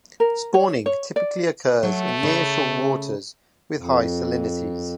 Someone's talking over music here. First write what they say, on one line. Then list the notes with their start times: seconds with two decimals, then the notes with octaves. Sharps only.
Spawning typically occurs in near-shore waters with high salinities.
0.20 A#4
0.54 C#5
0.86 C#5
1.16 D5
1.83 F#3 A3
2.23 C#3
3.78 F2